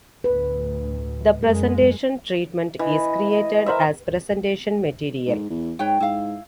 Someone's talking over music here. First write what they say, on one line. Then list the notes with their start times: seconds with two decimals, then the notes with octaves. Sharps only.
The presentation treatment is created as presentation material.
0.24 D2 A2 B4
1.43 F#2 G#3 A#4
2.79 E3 D#5
3.30 D#5
3.66 A#4 C5 E5
5.27 G#2
5.50 E2
5.79 G#2 B4 C#5 G5
6.00 G#2 E4 F5